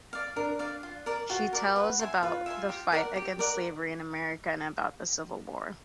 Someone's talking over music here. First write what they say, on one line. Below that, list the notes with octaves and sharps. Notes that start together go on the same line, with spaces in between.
She tells about the fight against slavery in America, and about the Civil War.
D5 F5
D4 A#4
D5 F5
F4
A#4 D5
F4 F#4
A#4 D5
B4
E5 G#5 C6
F4 B4
E5 G#5 C6
G4
A#4 D5 F#5
G4
A#4 D5 F#5